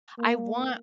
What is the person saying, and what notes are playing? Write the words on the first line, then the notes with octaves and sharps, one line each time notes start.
I want
A#3